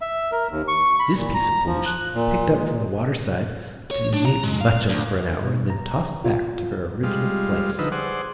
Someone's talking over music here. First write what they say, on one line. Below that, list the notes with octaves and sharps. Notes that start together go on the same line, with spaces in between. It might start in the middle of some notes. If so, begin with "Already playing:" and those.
This piece of pollution, picked up from the water-side, to be made much of for an hour, and then tossed back to her original place!'
E5
A#4
D#2
C#6
B5
A#2
A#5
F3
F#6
A#2
G#3
C#5
D4
A#5
G#3
F5
D2
B2
A#5
F4
G3 G#3 F4
D3 F3 D#4 B4 E6
G#4 C5 D5 F#5